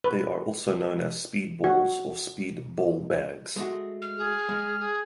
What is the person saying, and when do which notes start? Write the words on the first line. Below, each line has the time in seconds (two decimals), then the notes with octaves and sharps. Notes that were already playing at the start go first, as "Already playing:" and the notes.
They are also known as speedballs or speed ball bags.
0.04 B4
1.64 F#4
3.56 G#3 A3 F#4
4.02 F6
4.18 G#4
4.49 G#3
4.79 G#4